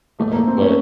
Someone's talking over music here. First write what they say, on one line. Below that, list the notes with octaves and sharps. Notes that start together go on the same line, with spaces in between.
uh, but
A3
A#3
C4
C#4